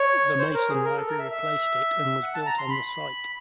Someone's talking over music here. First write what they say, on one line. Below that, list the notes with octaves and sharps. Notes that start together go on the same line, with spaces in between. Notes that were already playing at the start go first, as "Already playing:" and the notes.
The Mason Library replaced it and was built on the site.
Already playing: C#5
C5
A#4
G#4
A#4
A4
A#4
E5
E5
F#5
A5
A#5
C6
B5